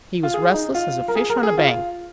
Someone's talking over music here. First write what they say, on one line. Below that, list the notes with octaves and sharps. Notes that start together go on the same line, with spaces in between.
He was restless as a fish on a bank.
F4
G#4
D#4
F4
A#4
G#4
A#4
G#4
F4